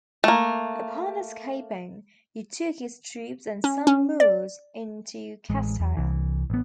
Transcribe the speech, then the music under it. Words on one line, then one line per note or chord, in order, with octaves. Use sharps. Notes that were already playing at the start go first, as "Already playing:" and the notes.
Upon escaping, he took his troops and some Moors into Castile.
A3 A#3
C#4
C#4
D5
A1 G#3
E2
C2 E3
A1 B3